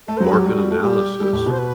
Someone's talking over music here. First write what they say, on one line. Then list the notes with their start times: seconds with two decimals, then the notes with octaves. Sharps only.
market analysis
0.07 A3 A4
0.17 C5
0.20 F#3
0.25 B4
0.32 F#3 A4
0.39 G4
0.45 G3 F#4
0.58 G3
0.71 A3
0.83 G3 G4
1.21 G3
1.33 A2
1.46 B2 C5
1.59 B4